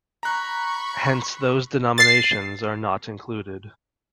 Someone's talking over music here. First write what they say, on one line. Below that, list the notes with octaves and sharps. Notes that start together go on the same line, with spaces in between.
Hence those denominations are not included.
A#5 B5 C#6 F#6
A6 C7